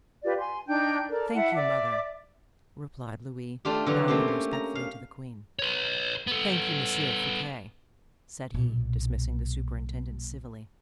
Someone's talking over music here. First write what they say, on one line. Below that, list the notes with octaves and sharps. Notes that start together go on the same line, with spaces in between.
"Thank you, mother," replied Louis, bowing respectfully to the queen. "Thank you Monsieur, Fouquet," said he, dismissing the superintendent civilly.
F4 G4 B4 D5
G#5 C6
D4 D#4 G5 G6
A4 A#4 D5 A5
E4 E5 F#5 A5
D5 E5 D6
A3 D4 F4 G4
D3 E3 F#3
A3 A#3 C4 C#4 G4
C#4
A#5
F5
B4 C#5
B3 A4
B1 A#2